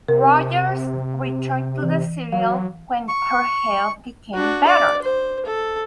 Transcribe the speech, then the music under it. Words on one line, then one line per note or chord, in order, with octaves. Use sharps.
Rogers returned to the serial when her health became better.
C3 A#4
E3
F#3 F5
C#6
D4 F#4
D5
C5
A4